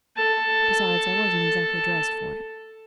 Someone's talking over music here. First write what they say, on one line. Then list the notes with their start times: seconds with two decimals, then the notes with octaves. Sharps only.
Besides, I wasn't exactly dressed for it.'
0.17 A4 A5